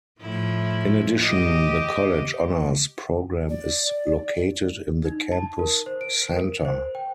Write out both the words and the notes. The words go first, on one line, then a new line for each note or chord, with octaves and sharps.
In addition, the College Honors Program is located in the Campus Center.
A2 F3 E4
G4 D#5
D5
D#4
A5
A#4
C5
D7
A#4
C5
G5